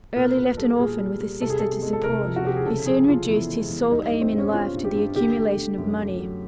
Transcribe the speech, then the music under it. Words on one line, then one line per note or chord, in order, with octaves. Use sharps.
Early left an orphan with a sister to support, he soon reduced his sole aim in life to the accumulation of money.
A#2 A#4
A#2 B4
G3 A4
A#2 G#4
G3
G3
C3 A4
G#4
C3 A4
G#3
A4
C3 A#4
F3
F#4
C3 G4
G#4
C#3 A4
F3 G#4
F3 F4
E2 E4
G#3
E2
G3 D#4
G2 D#4
C4
G2
C#4
G2 F4
G2
G4
G2
D3 G4
A3
D3
F#2
A3
F#3